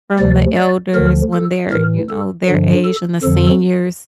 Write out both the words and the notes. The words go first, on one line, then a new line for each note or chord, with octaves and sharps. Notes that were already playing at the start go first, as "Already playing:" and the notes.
from the elders when they're, you know, their age and the seniors.
D2 C3 F3 D5
D5
D2 D3 F3 A#4
A4
A2 E3 A#4
A4
G2 D3 F3
A4
F2 D3 F3 A4